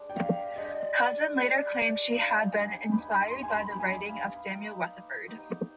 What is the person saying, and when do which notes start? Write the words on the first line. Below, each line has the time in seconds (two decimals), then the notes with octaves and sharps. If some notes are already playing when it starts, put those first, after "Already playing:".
Cousin later claimed she had been inspired by the writing of Samuel Rutherford.
Already playing: G#3 D4 G4 D5
0.10 G5
0.17 F5
0.56 G#3 D4 G4 D5 D#5
1.34 G#3 D4 G4 D5
2.12 D#4 G4 B4 F5
2.52 G#5
2.91 D#4 G4 B4 B5
3.11 C6
3.31 C6
3.43 G#5
3.51 B5
3.70 D#4 G4 B4 B5
3.80 G#5
3.88 B5
4.09 F5
4.49 D#4 G4 B4
5.27 B3 D#4 G4 C5